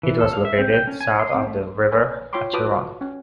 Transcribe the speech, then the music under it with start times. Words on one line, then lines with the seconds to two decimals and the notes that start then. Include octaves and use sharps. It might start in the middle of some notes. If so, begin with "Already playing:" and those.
It was located south of the river Acheron.
0.03 E3
0.20 A4
0.33 F5
0.45 E5
0.59 C4
0.73 G5
0.87 C#4
1.00 G#5
1.19 C6
1.34 C4
1.47 A3
1.92 B4 C#5 G#5 B5
2.33 F4 C#5 G5 B5 C6 D6
2.53 F4 F#4 B4 A5 D6 D#6
3.01 C#4